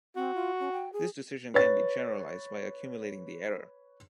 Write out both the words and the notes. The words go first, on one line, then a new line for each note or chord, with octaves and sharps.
This decision can be generalized by accumulating the error.
C4 F#4
F4
C#4
G5
G#4
B4 C#5 A6